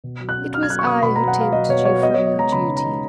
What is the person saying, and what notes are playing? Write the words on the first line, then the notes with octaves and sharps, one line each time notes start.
It was I who tempted you from your duty.
B2
F#3
F#6
C#4
F#3 F6
G#6
F#3 F#6
C#6
B2 D#6
B2 B5
F#3 A#5
F#5
F#3 F5
F#3 D#5
B2 C#5
F#3 C#5
B3 D#5
B3 C#5
D#5
G#3 A#5
C#3 B5
D#4
A#5
G#3